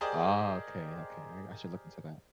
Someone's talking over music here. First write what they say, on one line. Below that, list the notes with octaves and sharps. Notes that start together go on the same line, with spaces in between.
Ah, okay, okay, I r I should look into that.
G4 G#4 A#4 C5 D5 D#5